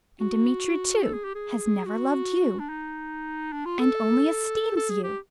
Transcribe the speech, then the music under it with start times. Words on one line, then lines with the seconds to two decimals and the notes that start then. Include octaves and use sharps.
And Dmitri, too, has never loved you ... and only esteems you....
0.21 F#4
1.03 A4
1.14 G#4
1.24 G4
1.35 G#4
1.86 F#4
2.60 D4
2.69 D#4
3.53 D4
3.66 F4
3.79 A4
4.77 A4
4.90 G#4
5.04 G4